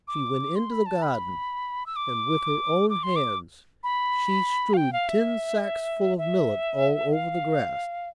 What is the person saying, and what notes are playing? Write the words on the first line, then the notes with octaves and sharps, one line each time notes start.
She went into the garden, and with her own hands she strewed ten sacks full of millet all over the grass.
D6
C6
B5
A5
B5
E6
D6
D6
C6
D6
B5
F5
G5
F5
E5
E5
F5